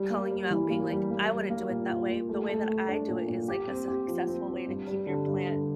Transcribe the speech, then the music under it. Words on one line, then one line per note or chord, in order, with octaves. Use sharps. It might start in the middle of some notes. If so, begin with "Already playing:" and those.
calling you out, being like, "I wouldn't do it that way, the way that I do it is, like, a successful way to keep your plant
Already playing: G3
A#3
G3
E3
A#3
G3
A#3
G3
A#3
A#2
F4
A#3
A3
A3
A3
D4
A#2
A#2
G4
C4
G4
F3
C4
C4
G2
G3
D3
G2
D3